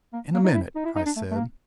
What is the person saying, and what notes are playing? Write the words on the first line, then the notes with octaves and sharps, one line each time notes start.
"In a minute," I said.
A#3
A#3
D#4
E4
D#4
E4
D#4
D4
A3
A3
A#3